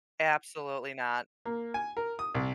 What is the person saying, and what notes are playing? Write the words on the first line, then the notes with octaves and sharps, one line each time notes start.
Absolutely not.
A#3
G#5
A#4
D#6
C2